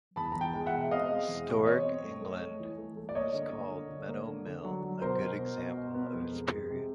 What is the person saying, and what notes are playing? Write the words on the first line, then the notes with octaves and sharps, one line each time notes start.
Historic England has called Meadow Mill "a good example of its period".
E2 A5 B5
E2 A#5
G5 A5
G#3
E5 F#5
B2
C4 D#5 F5
G#3
E2
B2
C4 C#5 D#5
C4
A3
A3
A3
E3
A3
A3
D5
A#3 C#5 D#5
D3
A#3
D3
D3
A#3
D3
D3
F#3
F#3
B2 A#4 C5
B2
B2
B2
B2
B3
F2
G#3
G#3
C3